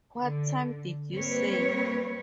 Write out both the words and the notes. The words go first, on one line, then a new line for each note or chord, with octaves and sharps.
What time did you say?
D3
G3 A#3 C4 B4 C#5